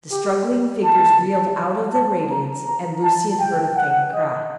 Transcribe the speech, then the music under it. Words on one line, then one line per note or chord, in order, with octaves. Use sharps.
The struggling figures reeled out of the radiance and Lucian heard a faint cry.
G4
A5
A5
A#5
A#5
A5
G5
F#5
D#5